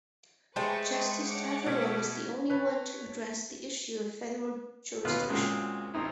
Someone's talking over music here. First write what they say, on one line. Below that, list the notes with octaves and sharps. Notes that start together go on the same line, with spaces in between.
Justice Taschereau was the only one to address the issue of federal jurisdiction.
G#3 A3 B4 C5 G5 A5 C#6
C#5 F#5 D6
B2 G#6 B6
B4 C#5 A5
D#2 B2 B3 F4 F5 F#6
A#2 C#3 G#3 A#3 C4 F#4
A1 C4 D#4 E4